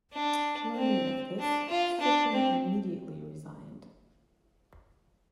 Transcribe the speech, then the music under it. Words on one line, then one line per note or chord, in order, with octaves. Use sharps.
Learning of this, Ficklin immediately resigned.
D4
C4
D4
F4
D4
C4